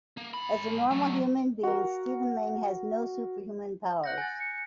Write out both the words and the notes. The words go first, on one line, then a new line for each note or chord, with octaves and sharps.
As a normal human being Stephen Lang had no superhuman powers.
A#3
G#2 B5
F#3 A3
F#4 A#4
F#5 F#6 G6 A#6
G#5 A6
C#7